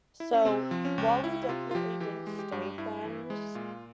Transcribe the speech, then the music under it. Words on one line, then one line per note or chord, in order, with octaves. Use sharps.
so, while we definitely didn't stay friends,
E4
C#4
C3 C4
F3
C#4
C#2
C#2 E4
E4
C3 F4
F4
F3 G4
E3 G4
G#3
G4
G2
G2 E4
E3
G#3
A#2 F4